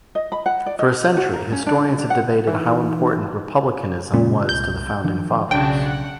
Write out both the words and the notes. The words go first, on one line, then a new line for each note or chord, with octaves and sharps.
For a century, historians have debated how important republicanism was to the Founding Fathers.
D#5
B5
F#5
D5
D#5
F#4
A#4
C#4
D4
D4
F#5
E3 D#4
A#2 C#3 G#3 C#4
C2 G6
D#3 F3 D4
B1 C#3 D4 F#4 G5
F#5